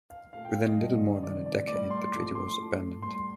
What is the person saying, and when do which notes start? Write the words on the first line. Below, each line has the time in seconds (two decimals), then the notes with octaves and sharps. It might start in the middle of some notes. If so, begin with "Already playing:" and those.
Within little more than a decade, the treaty was abandoned.
0.10 F5
0.33 A#2 A3 F5
0.45 G5
0.55 F5
0.67 D#5
0.77 G2 D3 A3
1.23 C3 D#3 G3 D5
1.46 D5
1.67 A2 G3 D5
1.90 C6
2.12 A2 F3 A3 D6
2.35 C6
2.58 A2 A3
3.02 A2 G3 C6